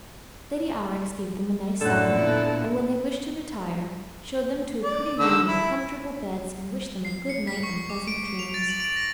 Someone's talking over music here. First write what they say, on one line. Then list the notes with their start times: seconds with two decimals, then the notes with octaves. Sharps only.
Lady Aurex gave them a nice supper and when they wished to retire showed them to a pretty room with comfortable beds and wished them a good night and pleasant dreams.
1.81 F#2 A2 D3 A4 F#5
2.13 A#2 B3 E4
4.83 D5
5.19 D3 D#3 E6
5.48 E4
7.05 C7
7.30 C#7
7.47 B6
7.63 C#6
7.90 D6
8.08 D7
8.39 F7
8.54 A6
8.69 F#7
8.80 D7
8.96 A#6